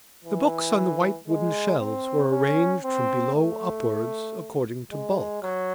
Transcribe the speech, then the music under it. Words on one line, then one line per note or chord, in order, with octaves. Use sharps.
The books on the white wooden shelves were arranged from below upwards according to bulk.
E3
G#3
C4
C#4
C4
A3
G#3
F#3